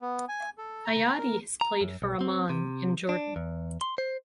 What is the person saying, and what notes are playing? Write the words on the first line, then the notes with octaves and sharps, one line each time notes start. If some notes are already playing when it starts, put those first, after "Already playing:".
Ayadi has played for Amman in Jordan.
B3
G#5
A4
A#5
A#4
A#5
F#2
B1
C4
C3
D4
E2
C6
C5